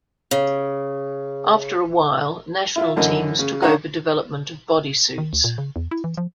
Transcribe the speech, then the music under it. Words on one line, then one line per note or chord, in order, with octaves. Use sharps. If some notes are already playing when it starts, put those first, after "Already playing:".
After a while, national teams took over development of "body suits".
C#3
E4 F4 E5
F#2 D3 E3 A#4 D#5
C#3
D4 D#4 C#5 F5 F#5 A#5
D#3
D2
A#2
C#3
E2
E4
E3
F3